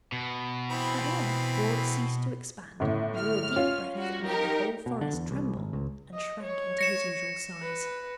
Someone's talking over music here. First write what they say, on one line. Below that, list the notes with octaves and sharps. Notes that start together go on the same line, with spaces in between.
At length Broad ceased to expand, drew a deep breath that made the whole forest tremble, and shrank into his usual size.
B2
E3 C4 B5
G1 A2
F6
C#4 F4
G3 F#4
D#4 G4 A#4
B2
D3
E2
C2
G#1
C#2
D#5
C#5
A#6 C#7 E7
B4